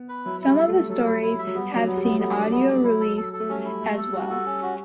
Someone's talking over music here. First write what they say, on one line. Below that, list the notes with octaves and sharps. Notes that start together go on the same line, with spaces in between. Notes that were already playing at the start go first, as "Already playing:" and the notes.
Some of the stories have seen audio release as well.
Already playing: B3
B4
F#3 E4
E4
G3
A4
A3
A4
F#3 A4
E4
E4
E5
F#3
G3 B3
D4
F#3
B3
G3
B3
A3 B3
D4
B3
D4
F#3 E4
A4
A4
A4
A3
G3 C#4
E4
A3
A4
G3 F#4
A4
C#4
F#4